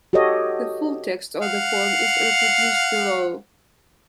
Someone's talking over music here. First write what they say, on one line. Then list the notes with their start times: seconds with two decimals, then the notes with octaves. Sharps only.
The full text of the poem is reproduced below.
0.13 F#4 G4 A4 C#5 D#5
1.42 F5 F#5